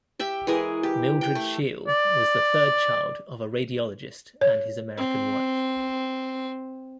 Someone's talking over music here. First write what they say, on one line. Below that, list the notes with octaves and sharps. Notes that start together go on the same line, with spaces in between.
Mildred Scheel was the third child of a radiologist and his American wife.
G4 E5 G5
E3 G#3 G#4 A#4
G4
G5
A3
D5
C#5
C4